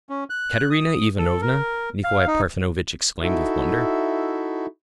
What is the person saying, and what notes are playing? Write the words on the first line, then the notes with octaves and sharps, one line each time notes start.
"Katerina Ivanovna!" Nikolay Parfenovitch exclaimed with wonder.
C#4
F#6
D#6
A4
A#4
F5
D#4
D#4 E4 F#4 A4 E5